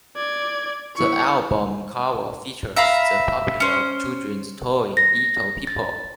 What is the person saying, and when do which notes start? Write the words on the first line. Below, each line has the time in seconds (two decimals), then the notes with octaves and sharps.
The album cover features the popular children's toy Little People.
0.16 D5 G#6
0.96 E4 C#6
2.76 E5 F5 A#5 B5
3.60 C#4 C5
4.97 A#6
5.67 A6